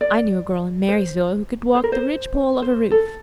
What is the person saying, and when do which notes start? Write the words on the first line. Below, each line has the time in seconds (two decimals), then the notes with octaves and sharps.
"I knew a girl in Marysville who could walk the ridgepole of a roof."
0.01 D5
0.88 C5
1.75 C5
1.84 A#4
1.92 C5
2.62 C5
2.91 A4